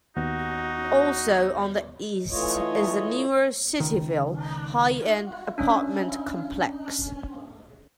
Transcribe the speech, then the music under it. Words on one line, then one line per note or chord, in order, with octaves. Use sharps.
Also on the east is the newer Cityville high-end apartment complex.
D#2 B3 D#4 F#4
E3 A3 F4 C#5 D#5
C#2 D#3
C#4 D4